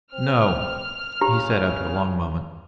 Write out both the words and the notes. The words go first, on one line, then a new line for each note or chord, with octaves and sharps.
"No," he said after a long moment.
C4 F6
C#3 G4 A#5